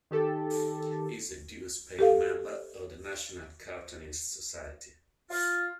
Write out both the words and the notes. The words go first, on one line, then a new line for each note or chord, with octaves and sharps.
He is a dues-paying member of the National Cartoonists Society.
D#3 G4 A4
G4 A4 F5
F4